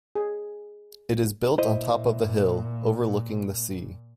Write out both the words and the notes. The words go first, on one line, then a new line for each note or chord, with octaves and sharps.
It is built on top of a hill, overlooking the sea.
G#4
A#2 E4 C5 D#5